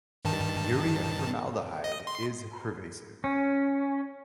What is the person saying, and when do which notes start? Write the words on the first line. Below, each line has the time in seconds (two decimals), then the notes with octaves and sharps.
Urea-formaldehyde is pervasive.
0.25 G2 D#3 A5
1.84 D#5
2.07 C6
3.24 C#4